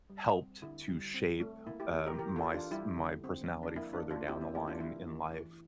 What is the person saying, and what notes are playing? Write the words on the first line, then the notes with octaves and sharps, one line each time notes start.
helped to shape, uh, my s my personality further down the line in life.
G3
C4
D3 E4
G3
C4
A3
A#3 E4
E4 G4
A#3
G4 A#4
E3 G4 A#4
F4 A4
E3
D4 F4
G3 E4 G4
D3
C4
F3
D4
A#3 E4
D4
A#3
D4 F4
C4 E4 G4
E4
A3 E4 G4
D4 F4
E3 E4
E3
E3